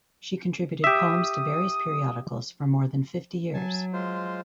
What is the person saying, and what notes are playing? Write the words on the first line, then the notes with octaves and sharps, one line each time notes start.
She contributed poems to various periodicals for more than fifty years.
G4 E5 D#6
F#3 G#5 A5
G#3 F4 C5